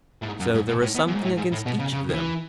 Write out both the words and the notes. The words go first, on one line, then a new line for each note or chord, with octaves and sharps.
So there was something against each of them.
A2
G#2
F#2
G#2
B2
A2
B2
F#2
G#2
A2
G#2
A2
B2
C#3
C#3
D#3
E3